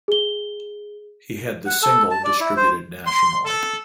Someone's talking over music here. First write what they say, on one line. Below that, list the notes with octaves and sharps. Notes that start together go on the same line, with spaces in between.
He had the single distributed nationally.
G#4 G7
F#5
A4
A5
D5
E4
C5
C6
A4